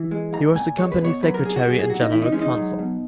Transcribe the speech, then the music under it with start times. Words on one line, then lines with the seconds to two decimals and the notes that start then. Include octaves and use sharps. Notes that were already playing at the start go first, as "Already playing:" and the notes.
He was the company Secretary and General Counsel.
Already playing: E3
0.11 G#3
0.33 G#3 A#5
0.55 A#2 G#5
0.78 G#3 C#5
0.92 B4
1.01 B2 C#5
1.22 F#3 B4
1.34 A#4
1.45 A#2 G#4
1.56 F#4
1.67 F#3 G#4
1.79 G#4
1.89 A#2 F#4
2.01 D#4
2.12 E3 E4
2.22 D#4
2.32 G#3 C#4
2.41 D#4
2.56 F#3
2.79 B2